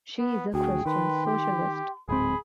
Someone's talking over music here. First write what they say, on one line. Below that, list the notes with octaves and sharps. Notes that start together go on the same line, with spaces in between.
She is a Christian Socialist.
B3
D2 F#4 G#4 G5
D#3 B4 C6
G4
D1 G#2 C4 G#4 B5